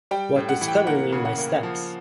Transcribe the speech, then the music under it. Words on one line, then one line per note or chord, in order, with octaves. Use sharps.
What did Scudder mean by steps?
G3 G5
A2
F#5
E3
G5
A#3 F#5
C#3
F#5
A#3
F3